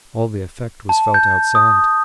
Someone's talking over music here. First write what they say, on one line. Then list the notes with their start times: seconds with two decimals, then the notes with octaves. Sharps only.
All the effect was felt outside.
0.89 A5
1.14 G6
1.55 D#6